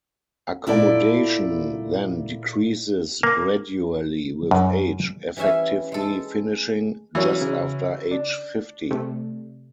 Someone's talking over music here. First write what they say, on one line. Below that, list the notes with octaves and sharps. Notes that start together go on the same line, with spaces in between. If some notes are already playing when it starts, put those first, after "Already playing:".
Accommodation then decreases gradually with age, effectively finishing just after age fifty.
A#2 E4 A4 D5
A#3
F#2
E3 G3 C#4 E5 G#5
G#3 A4
E3 F#3 C#4
C#3
D4
C3 A3